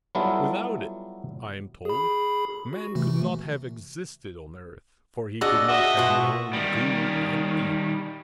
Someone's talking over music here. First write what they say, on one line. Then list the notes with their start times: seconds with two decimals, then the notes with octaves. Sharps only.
Without it, I am told, man could not have existed on earth, for he could not have known good and evil.
0.15 F#3 G3 B3 E4 F4 A4
1.85 G#4 B5
2.73 F#4
2.95 C3 E3 A3
5.41 D4 F#4 G#4 D#5 E6
5.68 D#5 E5 F#5
5.97 B2 F4 F#4
6.53 D#3 G3